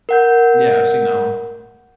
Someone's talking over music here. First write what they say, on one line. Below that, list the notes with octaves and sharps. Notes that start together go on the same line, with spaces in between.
Yeah, I've seen that one.
A#4 F#5 G6